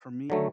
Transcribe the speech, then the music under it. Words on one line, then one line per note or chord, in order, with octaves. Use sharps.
for me,
D3 F#3 A3